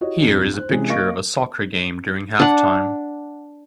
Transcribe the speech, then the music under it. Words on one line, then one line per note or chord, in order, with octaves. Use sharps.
Here is a picture of a soccer game during halftime.
E4 F#4 G4 C#5 D#5
C2 F2
C5 F#6
C3 E3 G#3 C#4 G#4
A#3 D#5 F5 C#6 A#6 D7
D4 F#5